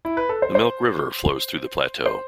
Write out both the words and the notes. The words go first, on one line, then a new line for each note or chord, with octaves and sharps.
The Milk River flows through the plateau.
E4
B4
A4
C5
C5
C5